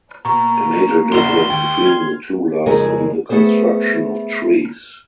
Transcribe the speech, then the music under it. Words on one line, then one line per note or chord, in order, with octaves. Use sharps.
A major difference between the two lies in the construction of trees.
B2 A#3 A#5 C#6
A#1 E2 C#3 C6
D#2 G5
F6 G#6
F2 C#3 G#3 D#4 G#4 A#4
A3 B3 G#4 C5